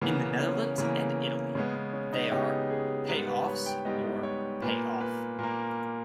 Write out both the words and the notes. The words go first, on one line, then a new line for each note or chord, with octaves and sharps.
In the Netherlands and Italy, they are "pay offs" or "pay-off".
C#3 E3 A#3 B3
C#4
C#3 E3 A#3
C#3 G#3 B3 C#4
B3
C#4
D#4
C#3 G#3 B3 G4
G#4
G#2 G3 B3 A#4
B4
C#5
G5
G#2 G3 B3 D#5
C#5
A#2 A#3 B4
B4
A#2 A#3 A#4